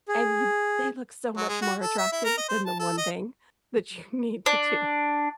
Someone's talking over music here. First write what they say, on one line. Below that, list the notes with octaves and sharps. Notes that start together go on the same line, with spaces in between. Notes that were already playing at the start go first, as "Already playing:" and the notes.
and you they look so much more attractive than the one thing that you need to do.
G#4
F#3
G#3
F#4
A4
E5
E4
A#4
D#5
C5
A5
A4
D#5
D4